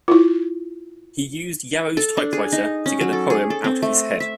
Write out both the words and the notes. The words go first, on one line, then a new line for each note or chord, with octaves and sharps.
He used Yarrow's typewriter to get the poem out of his head.
E4 F4
A4
D4
G#4
D#4
C#4
F#3
A4
G#4
A4
C4
A3
E5